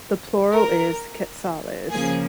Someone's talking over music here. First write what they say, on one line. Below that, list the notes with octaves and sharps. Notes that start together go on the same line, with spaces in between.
The plural is "quetzales".
A#4
C#3 F3 A#3 G#4